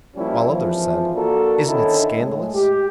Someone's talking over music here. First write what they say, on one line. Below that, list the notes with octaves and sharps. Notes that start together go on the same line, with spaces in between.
While others said--"Isn't it scandalous!"
F3 G3 A#3 C#4 E4
G#1 E3 F3
A#3 D4 F#4 A4 A#4
D3 D#3 C#4 E4 A4
A2 G#3
G4